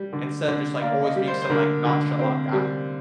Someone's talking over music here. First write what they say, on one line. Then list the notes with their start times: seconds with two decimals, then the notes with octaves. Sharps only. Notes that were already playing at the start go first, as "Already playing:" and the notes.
instead of just, like, always being some, like, nonchalant guy.
Already playing: G3
0.13 D3
0.48 D3
0.81 A#3 D5
1.04 D#5
1.16 G3
1.27 C5
1.42 C5
1.50 D3 A#4
1.84 D3
2.19 C4
2.53 G3